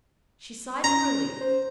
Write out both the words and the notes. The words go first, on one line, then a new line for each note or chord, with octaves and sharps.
She sighed her relief.
C#4 A#5
C5